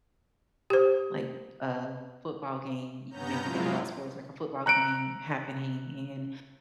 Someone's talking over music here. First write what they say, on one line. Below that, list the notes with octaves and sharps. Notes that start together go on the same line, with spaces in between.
like, a football game you made me think about sports, like, a football game happening, and
G4 C5
G2 B3 C#4 A#5 G6
F3 F#3 G#3 A#3 E4 F4
A#5 F#6 C#7 D7